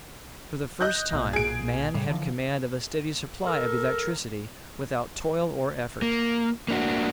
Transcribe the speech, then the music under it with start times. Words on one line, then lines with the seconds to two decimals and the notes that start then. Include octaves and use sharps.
For the first time man had command of a steady supply of electricity without toil or effort.
0.81 D#5 F#6 G6
1.13 B1 A#2
1.33 G#4 D7
1.94 A2 G3
2.09 D3 E3 F3
3.46 A4 A#4
6.02 A#3
6.68 A#3 D4 F#4